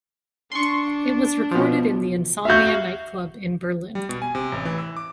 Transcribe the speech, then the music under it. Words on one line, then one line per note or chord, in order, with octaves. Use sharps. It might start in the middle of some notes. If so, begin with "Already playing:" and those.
It was recorded in the Insomnia nightclub in Berlin.
D4 C6 C#6
B2 F3
F#4 E5 F5 G6
G3
B2
G#5
C3
A1
E3
E6
D6